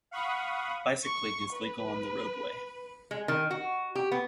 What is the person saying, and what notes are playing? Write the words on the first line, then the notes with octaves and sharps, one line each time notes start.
Bicycling is legal on the roadway.
F5 F#5 B5 C#6 D#6
C#6
B4
G#3
D#3
F#4
G4
B3